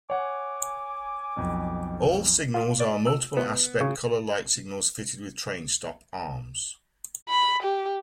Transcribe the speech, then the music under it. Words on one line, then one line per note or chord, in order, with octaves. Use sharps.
All signals are multiple aspect colour light signals fitted with train stop arms.
C#5 F#5 G#5 D6
B1 F2
F4
D5
E6
B3
C#3
B5
G4